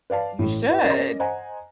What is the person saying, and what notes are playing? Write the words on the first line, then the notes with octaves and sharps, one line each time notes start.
You should.
B4 D5 F5 A5
A1 A2
E4 B4 E5
C#4 A#4 D5 D#5
C5 D#5 F#5 G#5 A#5